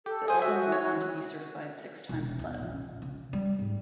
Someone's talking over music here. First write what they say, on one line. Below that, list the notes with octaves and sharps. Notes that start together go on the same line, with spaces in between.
The album went on to be certified six-times-platinum.
G4 A4
G#4 C5 G#5
F#4 E5
C#5
E1
E2
A#1
C#3
G3
G#2